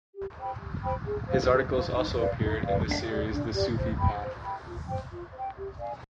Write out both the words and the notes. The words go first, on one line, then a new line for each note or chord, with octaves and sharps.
His articles also appeared in the series The Sufi Path.
G4
C5 G5 B5
G4
C5 G5 B5
G#4
C5 F5
G#4
C5 F5
D#4
B4 D5 F5
D#4
B4 D5 F5
D4
G4 D5
D4
G4 D5
C5
G5 B5
C5
G5 B5
F4
C5 G5
F4
C5 G5
G4
D5 F5 G#5